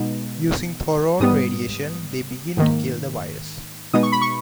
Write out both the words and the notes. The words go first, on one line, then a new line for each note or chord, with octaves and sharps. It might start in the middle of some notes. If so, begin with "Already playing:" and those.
Using thoron radiation, they begin to kill the virus.
Already playing: B2 G#3 B3 D#4
G#2 G3 B3 D#6
G#2 D#3 A#3
B2 G#3 B3 D#4 D#6
C#6
B5
C#6